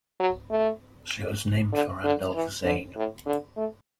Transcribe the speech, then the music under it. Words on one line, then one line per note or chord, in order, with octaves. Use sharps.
She was named for Randolph Zane.
F#3
A3
D3
D3
E3
D3
A2
D3
A3